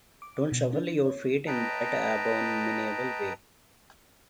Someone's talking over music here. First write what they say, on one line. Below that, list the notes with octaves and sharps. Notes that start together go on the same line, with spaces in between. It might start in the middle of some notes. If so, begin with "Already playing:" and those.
Don't shuffle your feet in that abominable way.
D6
B2
D4
C#5
B4 D#5 G5 A5 A#5